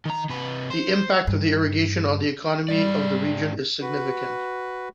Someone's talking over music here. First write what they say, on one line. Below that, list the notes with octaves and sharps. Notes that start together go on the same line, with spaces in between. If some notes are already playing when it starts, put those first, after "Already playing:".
The impact of the irrigation on the economy of the region is significant.
D#3 A#5
C3 B4
C5
G2
G#2 G3 D5
F#4 B4